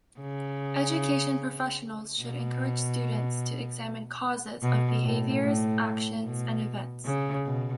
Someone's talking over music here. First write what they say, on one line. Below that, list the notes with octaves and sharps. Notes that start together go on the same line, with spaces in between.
Education professionals should encourage students to examine "causes" of behaviors, actions and events.
C#3
B2
B2
A2
A2
B2
C#3
B2